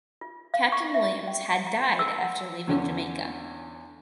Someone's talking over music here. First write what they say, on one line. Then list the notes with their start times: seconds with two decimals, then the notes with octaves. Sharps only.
Captain Williams had died after leaving Jamaica.
0.21 F4
0.54 F5
0.72 C#6
0.94 E5
1.28 G5
1.67 A#5
1.99 E6
2.18 F#5
2.67 E2 D3 C#4